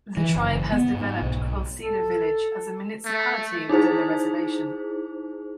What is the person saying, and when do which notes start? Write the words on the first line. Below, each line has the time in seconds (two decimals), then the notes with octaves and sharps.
The tribe has developed Quil Ceda Village as a municipality within the reservation.
0.17 E3
0.36 F#1
0.72 B3
0.94 G#2
1.22 B1
1.82 A4
3.05 A3
3.69 D#4 E4 G#4 C5